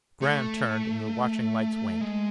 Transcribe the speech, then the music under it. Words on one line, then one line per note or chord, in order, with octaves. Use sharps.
Graham turned, and the watching lights waned.
A3
G#3